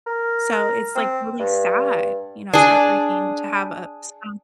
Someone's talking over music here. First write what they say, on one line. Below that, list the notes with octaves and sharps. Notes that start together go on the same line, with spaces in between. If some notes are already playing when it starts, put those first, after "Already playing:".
So it's like, really sad, you know, it's heartbreaking to have a skunk
A#4
C4
G2
D4 G#4